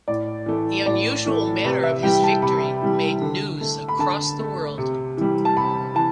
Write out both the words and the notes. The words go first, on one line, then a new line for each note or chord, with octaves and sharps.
The unusual manner of his victory made news across the world.
A2 D5
E3 A3
A2 D5
E3 A3
C3 B4
E5
E3 G3 G5
A5
C3 B5
E3 G3
D3
A3
B5
D3 A5
A3
C3
E3 G3
A5
C3 B5
E3 A5